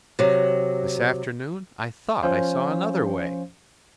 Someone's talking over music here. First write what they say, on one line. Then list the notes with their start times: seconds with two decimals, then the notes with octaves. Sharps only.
This afternoon I thought I saw another way.
0.19 C3 F#3
2.23 F3 C#4 C5 F5